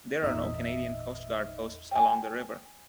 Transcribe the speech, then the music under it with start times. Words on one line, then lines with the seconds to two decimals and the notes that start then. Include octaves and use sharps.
There are no Canadian Coast Guard posts along the river.
0.22 G#1 E2 A#2 D#4 D#5 E5
1.91 G5 G#5